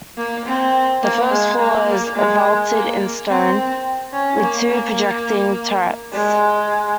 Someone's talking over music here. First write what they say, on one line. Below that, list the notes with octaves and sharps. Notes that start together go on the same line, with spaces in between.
The first floor is vaulted in stone, with two projecting turrets.
A#3
C4
A#3
G#3
A#3
A#3
G#3
A#3
C4
C#4
A#3
A#3
G#3